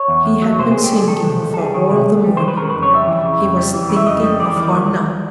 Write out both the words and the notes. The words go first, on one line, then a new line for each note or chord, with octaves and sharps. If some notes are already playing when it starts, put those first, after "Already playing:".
He had been thinking of her all the morning; he was thinking of her now.
Already playing: C#5
E2
E2
F#3
C3 C5
C#2 G#4
G4
G3 G#4
D#3 A4
C3
C#2
A4
G3 G#4
D#3
C3
C#2
G3
D#3 C5
B4
C#3 A#4
F2 B4
C#5
G3 E5
E3
C#3
F2
G3
E3
C#3
E5
F2 D#5
G3 D#5
E3 D5
D#3
D#2